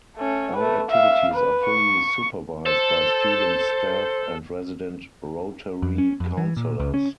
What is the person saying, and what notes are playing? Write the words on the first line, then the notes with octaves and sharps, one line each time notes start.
All activities are fully supervised by student staff and resident Rotary counsellors.
A3 C#4
A3 B4
E5 F5
B4
C#6
A4 C5
F2
C#4
F2
E3
A#2
C#2
C#4